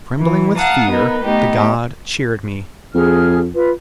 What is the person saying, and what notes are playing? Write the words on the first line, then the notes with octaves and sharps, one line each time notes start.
Trembling with fear, the god cheered me.
E3
F5 F#5 A5 A#5 D#6
B3 D#4 A#4 B4
A3 B3 D#4 G4
F2 G#4 F6
F4 B4